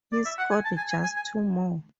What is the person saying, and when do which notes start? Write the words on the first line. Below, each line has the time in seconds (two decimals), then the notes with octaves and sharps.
He scored just two more.
0.12 D5
0.25 E5
0.38 F#5
0.51 G#5
0.65 A5
0.77 G#5
0.91 G#5
1.04 G#5
1.16 G#5